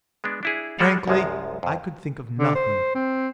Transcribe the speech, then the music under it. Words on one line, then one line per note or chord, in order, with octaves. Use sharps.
Frankly I could think of nothing.
G#3 B3 D4
D4 E4 G#4
G3 G#3 F#4 A4 D5 F5
C2 F#2 F3 G#3
F2
D3
C5
C4